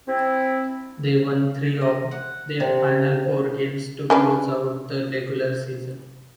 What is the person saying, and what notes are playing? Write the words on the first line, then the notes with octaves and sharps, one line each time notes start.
They won three of their final four games to close out the regular season.
C4 E4
D#5
F#5
C3
C#4 D4 B4